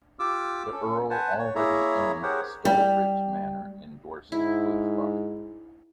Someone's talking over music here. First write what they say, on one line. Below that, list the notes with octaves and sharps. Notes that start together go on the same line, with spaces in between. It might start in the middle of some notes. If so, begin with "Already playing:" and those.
The Earl already owned Stalbridge Manor in Dorset close by.
F4 G4 D6 E6
C#4 A4
B4 C5 F#5 G#5 A5
C#5
A#3 E4 G#4 C#5 E5 A#5
G4 G#4 A#4 C5 C#5 F#5
G3
G#2 E4